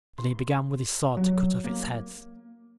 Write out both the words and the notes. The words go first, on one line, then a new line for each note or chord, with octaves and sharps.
Then he began with his sword to cut off its heads.
C6
F#3
A#3